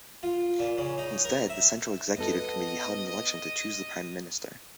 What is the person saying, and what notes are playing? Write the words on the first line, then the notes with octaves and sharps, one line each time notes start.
Instead, the Central Executive Committee held an election to choose the Prime Minister.
F4
A#2
C#3
D#4
A#4
E5
B3 F#4 A4 D#5